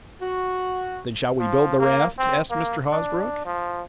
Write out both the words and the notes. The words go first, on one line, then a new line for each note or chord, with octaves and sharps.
"Then shall we build the raft?" asked Mr. Hosbrook.
F#4
F3
A#3
C4
A#3
D4
F3